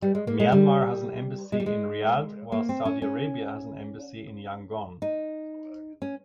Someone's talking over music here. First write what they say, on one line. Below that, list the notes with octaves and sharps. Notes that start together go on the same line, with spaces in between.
Myanmar has an embassy in Riyadh whilst Saudi Arabia has an embassy in Yangon.
G3
G#3
A#3
G#3
G3
G#3
G3
G#3
A#3
C4
C#4
C#4
D#4
C#4